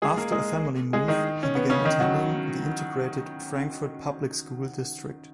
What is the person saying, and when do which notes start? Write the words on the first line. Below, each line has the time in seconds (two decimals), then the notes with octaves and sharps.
After a family move, he began attending the integrated Frankfort public school district.
0.02 G#3 G#4
0.17 A#3 A#4
0.32 G#3 G#4
0.93 G#3 G#4
1.08 D#3 D#4
1.43 C#4
1.55 B3
1.70 C#3 C#4
1.85 D#3 D#4
2.00 F#3 F#4